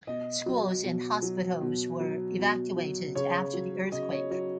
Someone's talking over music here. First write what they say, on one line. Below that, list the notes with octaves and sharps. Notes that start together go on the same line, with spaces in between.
Schools and hospitals were evacuated after the earthquake.
B2 D#5
F#3
B2
F#3
B2
F#3
B2
F#3
C#3 C#5
F#3
C#3 D#5
C#5
F#3 C#5